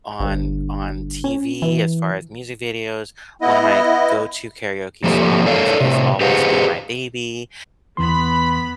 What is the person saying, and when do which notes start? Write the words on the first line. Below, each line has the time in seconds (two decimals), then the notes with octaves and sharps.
on on TV as far as music videos. One of my go to karaoke songs is Always Be My Baby,
0.20 G1
1.24 C#4
1.62 E3
3.42 B3 E4 D#5
5.04 F2 F3 A#3 G4 A4
5.46 A4 A#4 C#5 D5 F5
5.80 A2 C3
6.21 G4 G#4 B4 C5 F5 F#5
7.97 E2 E3 B3 B5 C6